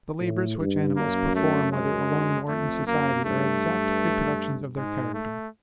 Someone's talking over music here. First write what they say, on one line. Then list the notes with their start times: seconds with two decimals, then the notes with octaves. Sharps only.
The labors which animals perform, whether alone or in society, are exact reproductions of their character.
0.21 A2
0.59 G2
0.97 F#2 A#3
1.36 A3
1.72 G#3
2.48 F2 A3
2.87 F#2 A#3
3.24 G2 A3
4.77 G#2 G#3
5.14 A3